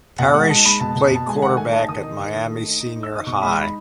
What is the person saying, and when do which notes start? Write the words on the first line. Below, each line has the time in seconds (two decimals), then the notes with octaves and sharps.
Parrish played quarterback at Miami Senior High.
0.19 B2 F#5
0.34 G#3 F#5
0.49 D#4 A5
0.65 G#3 B5
0.80 B2 A5
0.95 B2
1.11 B2 A5
1.27 G#3 G#5
1.42 D#3 F#5
1.57 A3 G#5
1.73 D#4 A5
1.89 D#3 D#6
2.03 D#4
2.19 D#3
2.34 D#3
2.50 A3
2.65 D#4
2.80 D#4
2.96 D#4
3.03 E6
3.12 D#4 D#6
3.27 B2 C#6
3.42 G#3 B5
3.58 D#4 B5